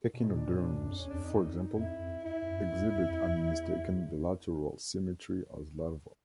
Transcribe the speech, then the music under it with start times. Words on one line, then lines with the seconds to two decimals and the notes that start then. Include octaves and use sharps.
Echinoderms, for example, exhibit unmistaken bilateral symmetry as larvae.
0.14 B2
0.22 A#2 D#4
0.33 D4
0.46 A#2 C#4
0.58 D4
0.73 F#2
0.85 F2
0.97 E2 C#4
1.10 F2 D4
1.23 D#4
1.74 F2 E4
1.99 F2
2.25 E4
2.42 F#2
2.58 F2
2.76 E2
3.01 F2
3.26 E2